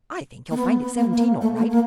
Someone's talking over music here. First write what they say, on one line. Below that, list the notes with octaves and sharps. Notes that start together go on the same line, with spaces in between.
I think you'll find it's seventeen all right.
A#3
B3
B3
A#3
A#3
A3
A#3
A#3